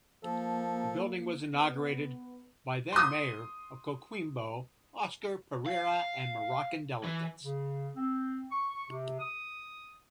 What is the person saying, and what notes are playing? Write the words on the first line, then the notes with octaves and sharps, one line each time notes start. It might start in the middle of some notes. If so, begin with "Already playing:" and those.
The building was inaugurated by then mayor of Coquimbo Oscar Pereira and Moroccan delegates.
F3 A#3 A4
B3
C6 D#6
F5
E3
C#3
C4
C#6
C3
D#6